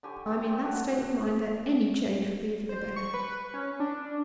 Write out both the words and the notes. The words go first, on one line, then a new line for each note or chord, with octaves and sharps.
I'm in that state of mind that any change would be for the better.
D3 G4 G#5 C#6
E3 G5 C6
G3
D4 F#4
C5
C#6
B4
C#4
D4